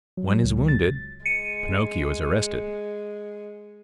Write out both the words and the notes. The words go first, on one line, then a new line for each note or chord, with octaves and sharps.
One is wounded. Pinocchio is arrested.
F#3
C#2
A6
G#3 C#7 D#7